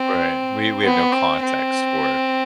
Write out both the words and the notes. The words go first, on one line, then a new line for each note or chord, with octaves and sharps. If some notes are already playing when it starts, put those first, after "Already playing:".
Right, we we have no context for it.
Already playing: C4
B3
C4
C4